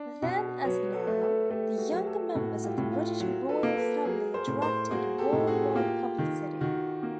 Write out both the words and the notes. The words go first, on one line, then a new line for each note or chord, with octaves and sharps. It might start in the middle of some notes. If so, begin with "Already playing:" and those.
Then as now, the younger members of the British Royal Family attracted worldwide publicity.
Already playing: D4
B2
F#3 B4 C#5
A4 B4
A3
A4 B4
A3 G4 A4
F#4 G#4
F#3
G4 A4
A2 F#4
F4 G4
A2
F4 G4
F#3
A4 B4
A#3
A4 B4
F#3 G#4 A#4
A#4 C5
A2
A#4 C5
A#3 F#4 G#4
G4 A4
A2
F#4 G#4
A#3 F4 G4
D#3
D#3 F#4
A#3